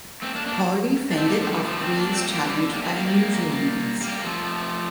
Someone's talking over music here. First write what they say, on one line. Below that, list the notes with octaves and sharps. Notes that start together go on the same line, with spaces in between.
Paulley fended off Green's challenge by unusual means.
A3 C4
A#3 D4
A#3 D4
D4
A3 C4
G3 A#3
F3 A3
E3 G3
F3 A3
A3 C4
A#3 D4
A3 C4
G3 A#3
E3 G3
D3
G3 A#3
A3 C4
G3 A#3
G3 A#3
G3 A#3
A#3
F3 A3